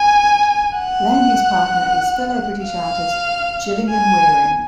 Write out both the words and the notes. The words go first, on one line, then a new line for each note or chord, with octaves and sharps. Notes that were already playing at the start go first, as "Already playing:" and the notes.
Landy's partner is fellow British artist Gillian Wearing.
Already playing: G#5
F#5
F5
G#5